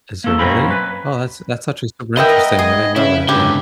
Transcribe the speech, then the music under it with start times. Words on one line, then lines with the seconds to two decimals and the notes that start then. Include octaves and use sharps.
Is there really? Oh, that's that's actually super interesting. I didn't know that, yeah.
0.24 A#3 A4
0.39 F#2 B2 A#3 C4 C#4 B5
0.71 B4
2.17 B3 A#4 D#5 E5 G5
2.59 G#3 G#4
2.96 C#3 E4 B4
3.29 G#2 D3 E4 G4